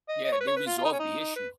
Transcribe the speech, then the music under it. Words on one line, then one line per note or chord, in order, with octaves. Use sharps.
Yeah, they resolved the issue.
D#5
D#5
C#5
B4
C#5
B4
F4
F4
D#4
C#4
D#4
D#4
B4